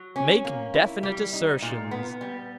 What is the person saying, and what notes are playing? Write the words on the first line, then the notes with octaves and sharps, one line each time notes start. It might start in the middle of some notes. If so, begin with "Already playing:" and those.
Make definite assertions.
Already playing: F#3
C#4
A#3
E4
G3
D#4
A#2
B3
G3